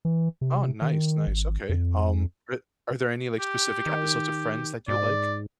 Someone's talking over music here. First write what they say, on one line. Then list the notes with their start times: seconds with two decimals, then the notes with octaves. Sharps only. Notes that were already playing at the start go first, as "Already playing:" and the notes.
Oh, nice, nice, okay, um, are are there any like specific episodes of Friends that you like
0.05 E3
0.41 C3
0.82 D#3
1.27 G#1
1.69 F2
3.40 G4
3.86 D#3
4.88 G#2 D5